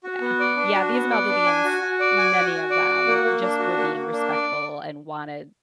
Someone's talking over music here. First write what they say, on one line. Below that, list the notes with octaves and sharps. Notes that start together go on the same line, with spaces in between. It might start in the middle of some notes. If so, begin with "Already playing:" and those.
yeah. Yeah, these Maldivians, many of them, just were being respectful and wanted
F#4
B3
D5
D4
F#4
B3
D5
D4
G#5
F#4
F#4
D5
G#5
F#4
F#4
D5
F#4
A#3
A#3
D4
F#4
A#3
A#3
D4
D5